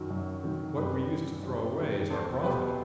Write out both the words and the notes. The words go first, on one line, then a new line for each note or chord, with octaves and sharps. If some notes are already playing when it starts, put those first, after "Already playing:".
What we used to throw away is our profit.
Already playing: F#2 D#3 F#3 F#4
F#2
D#3 F#3
F#2 G4 B4
D#3 G3
F#2
D#3 G3
E2 A4 C5
B2 F#3 G4 B4